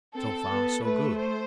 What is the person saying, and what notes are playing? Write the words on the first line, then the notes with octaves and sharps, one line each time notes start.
So far so good.
C4 A4
B3
A3 B4
C5